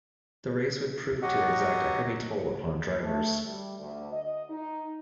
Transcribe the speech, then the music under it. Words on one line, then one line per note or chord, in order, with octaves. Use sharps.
The race would prove to exact a heavy toll upon drivers.
F#3 F#4 G4 D#5 F#5
A3
G3
D2
D#5
D#4